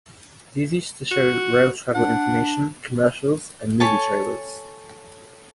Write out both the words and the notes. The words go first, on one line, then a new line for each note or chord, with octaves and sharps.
These used to show rail travel information, commercials and movie trailers.
F#4
D4 F#5
A4 C#5 G#5 A5